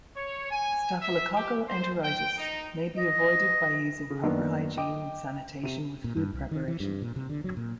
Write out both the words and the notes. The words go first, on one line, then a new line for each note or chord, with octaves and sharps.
Staphylococcal enteritis may be avoided by using proper hygiene and sanitation with food preparation.
C#5
G#5
E5
G4
C5
G5
D#4
D#5
C#3
F#2 D#3 A#3 B3 D4
D#5 G5 D6
C3 D#7
A#2
G2
C2
D#3
E3
G2
A#2
C3
D3
F#3
A#2